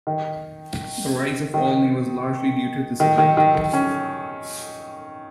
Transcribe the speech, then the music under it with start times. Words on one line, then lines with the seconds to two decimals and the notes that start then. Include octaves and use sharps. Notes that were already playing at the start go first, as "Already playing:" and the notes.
The rise of Aulnay was largely due to this event.
0.07 D#3
1.54 D#3
3.00 D#3
3.18 D#3
3.37 D#3
3.55 D#3
3.73 C#4